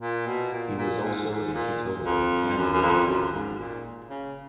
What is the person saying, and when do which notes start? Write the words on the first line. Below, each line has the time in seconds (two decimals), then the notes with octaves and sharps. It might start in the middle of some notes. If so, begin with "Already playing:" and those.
He was also a teetotaler and a vegetarian.
0.01 A#2
0.27 B2
0.53 A#2
0.78 A#2
1.03 G#2
1.30 G#2
1.54 A#2
2.05 F2
2.57 F#2
2.72 F#2
2.82 F2
3.08 F#2
3.33 G#2
3.59 A#2
4.09 C#3